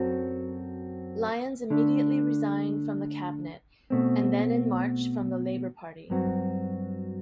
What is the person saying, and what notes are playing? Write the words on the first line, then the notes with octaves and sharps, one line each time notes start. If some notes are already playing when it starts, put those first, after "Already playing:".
Lyons immediately resigned from the Cabinet, and then in March from the Labor Party.
Already playing: F#2 F#3 C4 F#4 A4
D3 A3 D4
B2 A3 C4
G2 F#3 C4 F#4